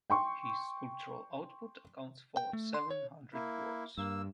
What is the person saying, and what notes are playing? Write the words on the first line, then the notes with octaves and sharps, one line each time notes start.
His sculptural output accounts for seven hundred works.
G5 C6 C#6
G5
A3
C6
C#5
A#3 E4
G2 A#3 E6